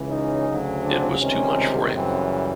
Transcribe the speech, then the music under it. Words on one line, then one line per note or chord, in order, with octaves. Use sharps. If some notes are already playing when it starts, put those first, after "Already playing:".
It was too much for him.
Already playing: C#2 C#3 E3
C#4 D#4
D2 C#3 F#3
C4 D4
C#2 C3 D#3 G3 C4 C#4
F#2 C#3 E3 G3 C4